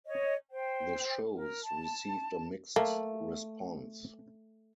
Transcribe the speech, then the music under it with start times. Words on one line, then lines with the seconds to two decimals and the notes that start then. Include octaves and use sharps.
The shows received a mixed response.
0.06 C#5 D#5
0.51 C5 G5
1.35 A#4
1.62 A5
2.76 A3 A#3